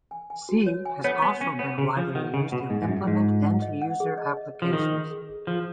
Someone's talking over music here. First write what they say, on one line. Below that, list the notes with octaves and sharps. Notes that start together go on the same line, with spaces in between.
C has also been widely used to implement end-user applications.
G#5
G#5
F#4
C#5
G#5
B3 C#5
B3 G#5
C#4 G#5
B3 C#5
C#3 G#4
F3 G#4
D#3 F#5
C#3 D#5
B2 F#5
G#2 G#4
G#2
F#2 F4
G#2 G#4
F4
F#5
D#5
F#5
G#4
D#5
D#5
D#5
F3
D#3 G#4
D#5
G#4
G#4
F3 G#4